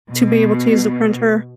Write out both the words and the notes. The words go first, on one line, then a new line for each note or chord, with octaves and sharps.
to be able to use the printer.
B2